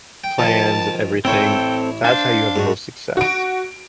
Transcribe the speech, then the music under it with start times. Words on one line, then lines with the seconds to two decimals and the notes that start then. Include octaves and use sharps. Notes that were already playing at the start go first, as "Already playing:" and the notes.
plans and everything, that's how you have the most success.
0.24 G5
0.39 D#3 F3 A5
1.25 A1 C4 E4 A4 C#5 G5
2.04 D4 C5 F5
2.56 G#2 F#4
3.17 F#4 D7